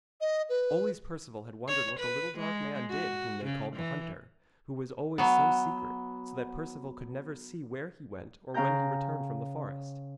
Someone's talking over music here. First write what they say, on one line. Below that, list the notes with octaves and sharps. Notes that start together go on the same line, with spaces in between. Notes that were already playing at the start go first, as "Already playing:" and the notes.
Always Perceval had wondered what the little dark man did whom they called the hunter, who was always so secret, so that Perceval could never see where he went or when he returned from the forest.
D#5
B4
C#5
B4
G#3
F#4
C#3
E3
F#3 B3
C#3 C#4 F5 G5 A#5 G6